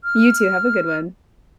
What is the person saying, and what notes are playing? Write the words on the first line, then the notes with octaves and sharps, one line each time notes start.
You too, have a good one.
F6